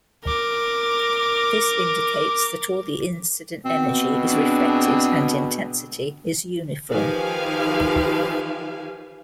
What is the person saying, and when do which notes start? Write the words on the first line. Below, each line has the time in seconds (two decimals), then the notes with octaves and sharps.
This indicates that all the incident energy is reflected and intensity is uniform.
0.25 A#4 D6
3.65 B2 C4
4.28 D4 G#4
6.92 D#3 F3 G4 B4 F5 G#5